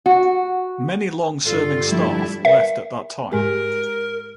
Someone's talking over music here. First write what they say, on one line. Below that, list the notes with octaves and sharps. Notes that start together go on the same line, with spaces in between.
Many long-serving staff left at that time.
F#4
G2 D3 F4 A4
F3 G3 A3 E4
A#4 B4 D5 E5
G#2 G#3 G4 A#4